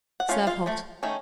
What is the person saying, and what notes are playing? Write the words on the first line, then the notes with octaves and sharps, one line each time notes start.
Serve hot.
F#5
A3 C#4 F4 F5
F4 F5
F3 A3
D#3 A3 C#4